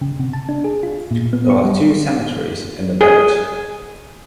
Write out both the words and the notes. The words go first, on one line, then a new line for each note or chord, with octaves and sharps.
There are two cemeteries in the village.
C#3
C3
A5
D4
G#4
F4
A#2
B3
C#6
G3
G#4